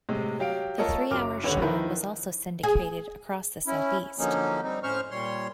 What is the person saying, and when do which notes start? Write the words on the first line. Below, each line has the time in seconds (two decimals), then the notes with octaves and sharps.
The three-hour show was also syndicated across the Southeast.
0.09 A2 C3 G#3
0.39 F#3 G4 F5 D7
0.78 A3 F4 A4 A#4 C#5 D#5
1.11 F#1 F#3 A#4 D6 F6
1.43 D#1 D3 B4 C#5 F#5
1.62 D#3 F3 E4 A#4 B4
2.63 G#4
3.67 C#4 E4
4.19 D3 F3 F#3 A#3 C#4 D#4
4.63 G3 C4 D#4
4.83 A2 C#4 C5 C#6 F6
5.11 A#2 G3 C#5 C6